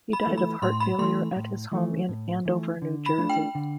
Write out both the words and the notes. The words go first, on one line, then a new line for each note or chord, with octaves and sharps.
He died of heart failure at his home in Andover, New Jersey.
B5
E3 A3
B5
A2 C6
B5
E3 A3 C6
A2
E3 A3
A2
E3 A3
D3
B5
A3 D4 F4
G5
D3